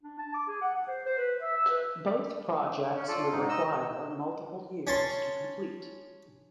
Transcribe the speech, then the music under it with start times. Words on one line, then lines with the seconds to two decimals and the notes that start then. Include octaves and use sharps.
Both projects would require multiple years to complete.
0.03 D4
0.19 A5
0.34 D6
0.48 G#4
0.62 F#5
0.74 F#5
0.88 C5
1.05 C5
1.18 B4
1.41 E5
1.56 E6
1.70 B4
2.96 C#4
3.08 F4 A4 D5
3.32 G#2 C3 D#4
3.49 D#4 D#5 E6
4.87 C#4 A5 C6